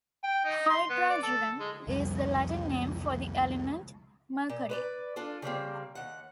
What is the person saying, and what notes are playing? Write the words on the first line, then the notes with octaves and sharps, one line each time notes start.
"Hydrargyrum" is the Latin name for the element mercury.
G5
D#4
C6
B3
D5
A4
G#3
C2 F2 G3
A#2
B4 C5 D5
D4 F4 A4
C#3 G3 A#3 C4
D#2 F#5